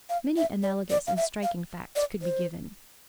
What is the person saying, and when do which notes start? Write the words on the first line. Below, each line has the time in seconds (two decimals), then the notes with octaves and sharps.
Many analogous and striking facts could be given.
0.10 F5
0.37 E5
0.63 D5
0.90 D5
1.07 F5
1.17 E5
1.43 F5
1.96 D5
2.22 C5